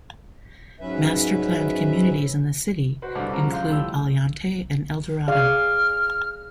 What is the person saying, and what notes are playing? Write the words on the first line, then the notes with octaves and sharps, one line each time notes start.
Master-planned communities in the city include Aliante and Eldorado.
G#2 F#3 C#4 B4 E5
F#4 B4 C5
C2 D3 A5 C#6 D6
C#3 F3 A#5 F6
F5 C6 G6
A2 F3 G3 E6
G#4 D5 F5 F6